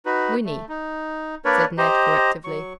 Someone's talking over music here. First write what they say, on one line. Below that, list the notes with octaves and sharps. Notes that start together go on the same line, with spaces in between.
"Whinny," said Ned correctively.
D#4 F#4 B4
A3
D#4
A#3 D4 A#4 B4 C#5 D5
G4 C5 D#5 A#5
F#3 C#6